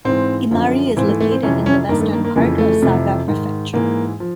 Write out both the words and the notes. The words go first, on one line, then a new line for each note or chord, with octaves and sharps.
Imari is located in the western part of Saga Prefecture.
G#2 E3 C4
F#2 D3 F3
G#2 E3 C4
A3
A3
C4
F2 C3 E3 C#4
C#4
G2 D#3 A#3
A3
A#3
A#3
F2 C#3 E3 A#3
A3
F2 C3 E3
G#2 D#3
G#2 E3 A#3
F3